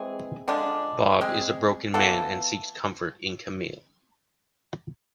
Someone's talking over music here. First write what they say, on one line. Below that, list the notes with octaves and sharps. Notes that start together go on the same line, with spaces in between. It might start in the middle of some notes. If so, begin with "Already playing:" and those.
Bob is a broken man and seeks comfort in Camille.
Already playing: E3 G#3 C4 G#4
D3 F3 G#3 D4
G#3 C4 G#4
E3 B3 F4 A4